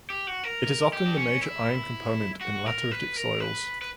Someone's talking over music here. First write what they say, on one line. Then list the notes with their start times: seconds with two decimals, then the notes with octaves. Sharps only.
It is often the major iron component in lateritic soils.
0.10 G4
0.27 F#4
0.43 A#4
0.93 G4
1.05 D4
1.17 C#4
1.42 E4
2.41 F#4
2.66 A#4
2.91 B4
3.16 A#4
3.40 B4
3.82 B4